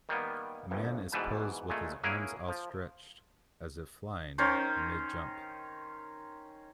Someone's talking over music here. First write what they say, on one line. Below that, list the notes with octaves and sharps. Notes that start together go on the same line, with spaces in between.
A man is posed with his arms outstretched, as if flying, mid jump.
D#3 G3 A#3 B3
G1 C2 G2
G#2 B2 E3 G3 B4 A5
A#2 G#3 A3
A#3 C#4 E4 G#4 A#4 F#5
F3
D#3 C#4 C5